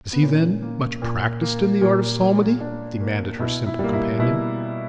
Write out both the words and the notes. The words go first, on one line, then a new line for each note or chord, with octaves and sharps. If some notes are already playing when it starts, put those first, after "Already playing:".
"Is he, then, much practiced in the art of psalmody?" demanded her simple companion.
B3
A#2 C#4
A#3
A#2
A#3
A#2
A#3
A#2 D4
A#3
B2 E4
E4
G3 A#3
E4
B2 E4